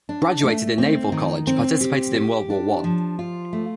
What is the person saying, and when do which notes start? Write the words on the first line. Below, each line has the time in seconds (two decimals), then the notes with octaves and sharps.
Graduated in naval college, participated in World War One.
0.09 D4
0.43 A3
0.78 C4
1.12 D#3
1.47 C4
1.81 G4
2.15 G4
2.50 D4
2.84 F3
3.19 F4
3.53 A3